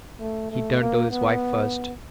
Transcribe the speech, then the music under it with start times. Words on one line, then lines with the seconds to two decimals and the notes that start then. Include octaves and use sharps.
He turned to his wife first.
0.20 A3
0.51 A3
0.81 A#3
1.11 B3